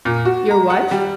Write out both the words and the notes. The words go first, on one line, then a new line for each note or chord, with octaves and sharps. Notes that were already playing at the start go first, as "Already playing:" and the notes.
"Your wife?"
A#2
F#4
A#5
F#5
G3